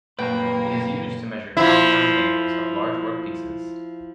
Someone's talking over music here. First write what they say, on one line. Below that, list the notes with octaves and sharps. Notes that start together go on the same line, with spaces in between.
It is used to measure compound angles of large workpieces.
F#2 A#2 A#3 B4 G5
F3 E4